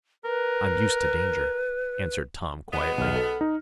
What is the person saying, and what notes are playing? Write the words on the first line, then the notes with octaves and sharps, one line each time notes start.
"I'm used to danger," answered Tom, quietly.
A#4 B4
F#3 G#3 B3
B1 F6
A4
D#4